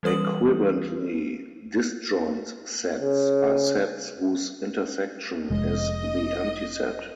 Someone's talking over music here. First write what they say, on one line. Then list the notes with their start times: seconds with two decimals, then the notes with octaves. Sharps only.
Equivalently, disjoint sets are sets whose intersection is the empty set.
0.03 E3 G3 B4 D#6 F#7
3.01 C#3
5.50 F1 G#3 D#5